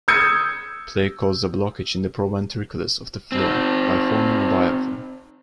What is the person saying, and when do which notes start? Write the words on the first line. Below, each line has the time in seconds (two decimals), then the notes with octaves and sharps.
Plague causes a blockage in the proventriculus of the flea by forming a biofilm.
0.08 D#6 E6 G6 G#6 C#7
3.32 C4 D#4